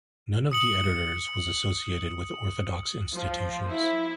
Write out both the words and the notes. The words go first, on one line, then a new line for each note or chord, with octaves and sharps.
None of the editors was associated with Orthodox institutions.
D#6 C#7 F#7
F3
E4